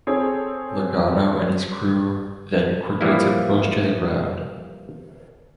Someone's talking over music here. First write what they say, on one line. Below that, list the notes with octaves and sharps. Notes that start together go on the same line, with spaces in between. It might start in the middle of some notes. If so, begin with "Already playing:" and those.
Logano and his crew then quickly took Busch to the ground.
C4 G#4 A4 C#5
E3 F3 G3 A#3 E4